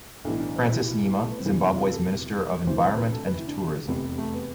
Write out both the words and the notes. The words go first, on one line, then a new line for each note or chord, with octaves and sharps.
Francis Nhema, Zimbabwe's Minister of Environment and Tourism.
B1 A2 E3 D4
D4
C4
E4
A3
B3
C4
F1 E2 C3 E3 D4
F4
A4
D2 C3 E3 C5
B4
C5
B4
A4
B4
E4
D4
F1 E2 C3
A3
B3